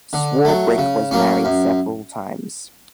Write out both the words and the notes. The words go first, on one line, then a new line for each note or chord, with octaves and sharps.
Swarbrick was married several times.
D3
F#3 A3
C#3
F#3 A#3 C#4
F#2